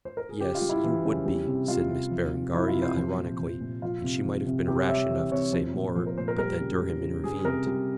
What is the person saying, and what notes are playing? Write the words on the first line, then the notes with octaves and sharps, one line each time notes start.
"Yes, you would be," said Miss Berengaria ironically, and she might have been rash enough to say more, but that Durham intervened.
C5
A#4
G#4
C#3 G4
F4
G3
E4
E3
C#3
G3
C3
G3 F4
C3
F3
C3
F3 E4
F4
C3
C5
F3
A#2
F3
A#2
F3 F4
C3
F3
C3
C3 G4
C#5
G3 E5
E3
C3 C#5
F3 C5
A#2
F3 C5
A#4
A#2 C5
A#4
G3 A#4
C#3
G3
C#3
G3 G#4
C3 A#4
G3